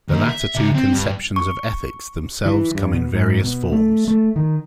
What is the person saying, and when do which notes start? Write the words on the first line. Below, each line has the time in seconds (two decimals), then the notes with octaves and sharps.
The latter two conceptions of ethics themselves come in various forms.
0.09 D#3 A#3
0.29 E5
0.55 C#3 E5
0.75 C4
0.93 G2
1.36 C#6
2.45 E3
2.75 G2
2.94 B2
3.14 G#2
3.44 B2
3.72 A3
4.08 A3
4.36 D#3